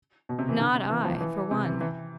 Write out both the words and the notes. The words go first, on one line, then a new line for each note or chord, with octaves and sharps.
Not I, for one....
B2
C3
E3
D3
C3
E3
F3
E3
C3
E3
E3